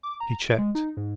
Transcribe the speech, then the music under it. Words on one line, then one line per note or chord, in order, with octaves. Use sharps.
He checked.
D6
A#5
D7
G#3
D#4
G#2